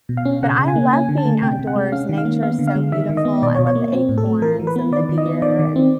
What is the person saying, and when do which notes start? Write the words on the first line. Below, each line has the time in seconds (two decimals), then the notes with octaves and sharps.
but I love being outdoors, nature is so beautiful. I love the acorns and the deer and
0.09 B2
0.17 F5
0.25 C#4
0.43 C#3 F#5
0.59 C#3
0.68 G#5
0.76 A#3
0.93 C#4 G#5
1.09 D3
1.18 A5
1.25 A3
1.43 C3 G5
1.59 C3
1.67 F#5
1.76 G#3
1.92 C#4 F5
2.09 D#3
2.18 F5
2.25 A#3
2.43 B3 F5
2.59 D3
2.68 F5
2.75 G#3
2.92 D#3 E5
3.10 D#3
3.17 D#5
3.25 B3
3.42 B2 D5
3.55 C#5
3.59 B2
3.67 C#5
3.75 A#3
3.93 C4
4.09 A2
4.18 A4
4.26 A3
4.42 E3 A#4
4.60 E3
4.67 B4
4.76 B3
4.92 D#3 D5
5.09 D#3
5.18 D#5
5.26 B3
5.42 D#3 D5
5.59 D#3
5.76 C4